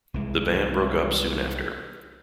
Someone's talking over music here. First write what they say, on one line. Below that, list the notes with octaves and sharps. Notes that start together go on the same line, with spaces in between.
The band broke up soon after.
C2 E3 G#3